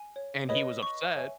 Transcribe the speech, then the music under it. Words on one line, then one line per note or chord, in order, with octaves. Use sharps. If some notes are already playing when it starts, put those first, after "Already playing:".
and he was upset
Already playing: G#5
C#5
B4 C#5 D#5
C#6
C#5 E5 G#5